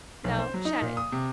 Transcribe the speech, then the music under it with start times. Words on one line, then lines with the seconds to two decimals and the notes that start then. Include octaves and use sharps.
No, shut it.
0.24 B1
0.39 C5
0.54 F#3
0.65 D#4
0.81 A#2
0.97 D#6
1.12 C3